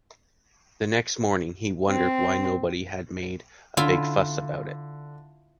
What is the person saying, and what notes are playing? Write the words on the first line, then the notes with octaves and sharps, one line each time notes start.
The next morning, he wondered why nobody had made a big fuss about it.
C4
D3 E4 F4